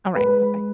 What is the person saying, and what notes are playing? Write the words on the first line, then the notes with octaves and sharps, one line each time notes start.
Alright. Bye-bye.
G#3 B4